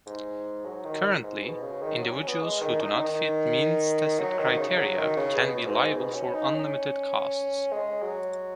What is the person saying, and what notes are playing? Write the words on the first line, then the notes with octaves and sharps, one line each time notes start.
Currently, individuals who do not fit means-tested criteria can be liable for unlimited costs.
G#2
F#3
D#3
G#2
B2
C#3
D#3
F#3
C#4
B3
G#3
D#3
D#4
D#3
F#3
D#3
C#3
F#3
D#3
C#3
B2
G#2
B2
C#4
D#4
C#4
G#3
F#3